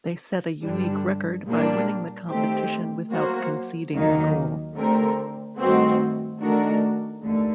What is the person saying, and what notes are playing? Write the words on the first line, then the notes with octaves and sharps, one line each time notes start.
They set a unique record by winning the competition without conceding a goal.
G2 D3 G3 D4
A#2 G3 A#3 D4
D#3 A3 C4 G4 C5
F#3 A#3 F#4 C5
D#2 D#3 F#3 A#3 D#4
D3 A3 C4 G4 A#4
G2 D#3 A3 C4 F#4
D#3 A3 D4 F#4 A#4
D#2 D3 A3